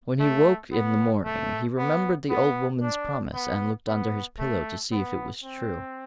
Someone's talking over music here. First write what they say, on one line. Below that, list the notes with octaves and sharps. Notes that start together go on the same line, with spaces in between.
When he woke in the morning, he remembered the Old Woman's promise, and looked under his pillow to see if it was true.
A3
B3
A3
B3
B3
D4
B3
B3
A3
B3
C4